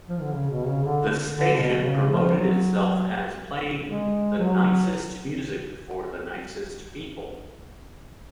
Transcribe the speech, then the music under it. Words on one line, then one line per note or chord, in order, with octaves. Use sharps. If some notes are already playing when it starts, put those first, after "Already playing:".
The station promoted itself as playing The Nicest Music for the Nicest People.
F3
D3
C#3
B2
C#3
D3
D3
B2
C#3
F3
F#3
G#3
F#3